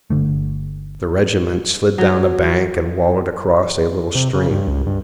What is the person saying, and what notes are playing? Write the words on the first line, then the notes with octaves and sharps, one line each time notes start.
The regiment slid down a bank and wallowed across a little stream.
G1 D3 A3
F#3
C3
C#3
G2
C#2
G2